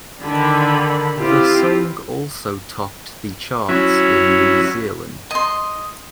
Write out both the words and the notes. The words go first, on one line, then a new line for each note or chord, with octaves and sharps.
The song also topped the charts in New Zealand.
D3 D#3 B5
C4 E4 F4 G4
F#3 C#4 E4
D#5 C6